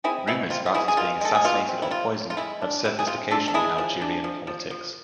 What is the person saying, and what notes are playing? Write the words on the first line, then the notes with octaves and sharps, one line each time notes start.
Rumors about his being assassinated or poisoned have surfaced occasionally in Algerian politics.
C4 E4 G#4
B2 E4
C4 F4
F4
B2 E4 G#4
G#4
B2 F4
G#3 A4
G#4
B2 F4
C4
E4
C3 F4
C3
F4
G#3 E4
D4
C3 E4
G#4
C3 F4
D4 F4 A4
A4
G#3 E4 G#4
F3
D4
F3
F3
F3